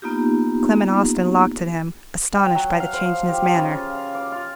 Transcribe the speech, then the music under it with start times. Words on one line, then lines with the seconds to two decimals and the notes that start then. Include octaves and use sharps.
Clement Austin locked at him, astonished by the change in his manner.
0.02 A#3 B3 D#4 F4 G4
2.34 G5
2.55 F#3
2.80 F5
2.94 C5
3.05 F3
3.28 G4
3.55 C#3
3.71 F4
3.94 F5
4.15 D6
4.32 F4